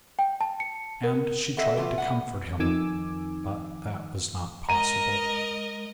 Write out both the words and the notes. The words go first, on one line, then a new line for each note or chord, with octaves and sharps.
And she tried to comfort him, but that was not possible.
G5
A5
C#7
A#4
B3 C4 A4 D#5 E5
E3 A3 F4
G3 B3 F#5
F2 D#3 G#5 D6 E6
G#3 A#4 D#5 A#5 D#7